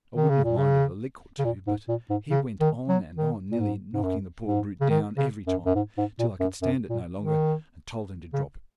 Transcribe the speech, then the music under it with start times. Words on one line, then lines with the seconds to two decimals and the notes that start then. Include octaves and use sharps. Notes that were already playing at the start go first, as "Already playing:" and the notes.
I wouldn't have minded a lick or two, but he went on and on, nearly knocking the poor brute down every time, till I could stand it no longer, and told him to drop it.
0.16 D#3
0.29 C#3
0.44 A#2
0.58 C#3
1.39 C#3
1.44 A#2
1.67 G#2
1.88 A#2
2.10 G#2
2.31 C#3
2.60 D#3
2.88 F#3
3.17 D#3
3.51 A#2
3.60 G#2
3.93 G#2
4.03 F#2
4.47 G#2
4.81 C#3
4.90 D#3
5.17 C#3
5.46 F#2
5.66 F#2
5.75 G#2
5.97 G#2
6.19 A#2
6.40 F#2
6.62 F#2
6.90 A#2
7.19 D#3
8.33 C#3